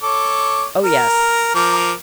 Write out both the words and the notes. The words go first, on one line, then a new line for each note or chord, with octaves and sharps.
Oh yes!
A4 C#5 D6
A#4
F3 A#4 D6